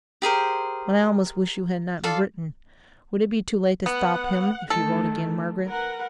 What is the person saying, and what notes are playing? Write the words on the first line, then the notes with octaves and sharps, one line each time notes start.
'But I almost wish you had not written. Would it be too late to stop him if you wrote again, Margaret?'
G4 G#4 A#4 C5
F4 A4 D5 F5
B3 F#5
D#3 A3 A4
A#4 B4 F#5